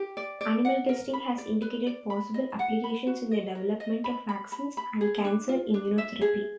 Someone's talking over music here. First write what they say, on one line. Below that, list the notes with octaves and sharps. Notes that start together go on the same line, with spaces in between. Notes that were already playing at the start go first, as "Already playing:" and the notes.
Animal testing has indicated possible applications in the development of vaccines and cancer immunotherapy.
Already playing: G4
D5
D5
F#5
A#4
B5
D5
B4
D5
B5
D#5
F#5
B5
F#4
D#5
A#4
D#5
B5
B5
B5
B5
G#4
D4
F4
D4
E5
G#4